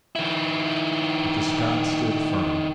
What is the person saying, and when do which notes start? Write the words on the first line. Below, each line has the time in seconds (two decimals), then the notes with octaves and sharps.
But the Scots stood firm.
0.16 D#3 E4